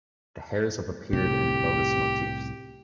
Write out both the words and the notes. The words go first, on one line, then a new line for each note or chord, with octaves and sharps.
The hares have appeared in Lotus motifs.
C2 A2 C3 G4